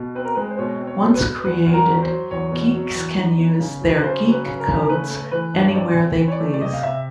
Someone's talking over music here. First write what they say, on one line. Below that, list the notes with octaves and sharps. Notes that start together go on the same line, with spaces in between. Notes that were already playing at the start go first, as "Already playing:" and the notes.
Once created, geeks can use their geek codes anywhere they please.
Already playing: B2
C4 B4
A#4
G#3 B4
C5
B2 C#5
C4
C#5
B2
B4
B2
E2 B4
E2
A#4
F#3
C5
F#3
E2 C#5
B2
F#3
E2
D#4
B3
C#3
F#3
B4
C#3 C5
F#3
B4
C#3
A#4
C#3
A#4
A3 B4
A3
E3 B4
G2
C#5
C4 D5
C4
E3
C#5
D5
A3
D5
C3 D#5
F5
C3 E5